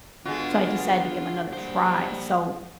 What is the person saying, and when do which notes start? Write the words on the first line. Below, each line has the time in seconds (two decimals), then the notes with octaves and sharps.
So I decided to give 'em another try, so
0.26 D3 G#3 B3 F4 F#4
1.53 G3 A#3 C5